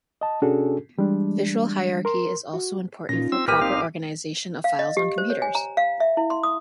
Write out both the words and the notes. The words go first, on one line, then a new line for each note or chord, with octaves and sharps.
Visual hierarchy is also important for proper organization of files on computers.
D#5 A5
C3 C#4 D4 F#4 G#4 A4
E3 G3 G#3 D4
A#4 C6
F#4
A#2 C#4 D#4 F4 A#6
C4 E6
C2 A#2 G4 A#4 B4 F6 G6 D#7
C4 D#4 F5
F5
D#5
G4
C5
C#5
G#5
A#5
F5
E5
E4
C6
D#6